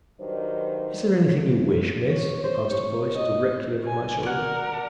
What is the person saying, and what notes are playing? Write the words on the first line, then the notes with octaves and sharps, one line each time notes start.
"Is there anything you wish, Miss?" asked a voice directly over my shoulder.
G2 D#3 F#3 C5
C#5
C5
C#5
D#5
G#5
A#4 D5 F#5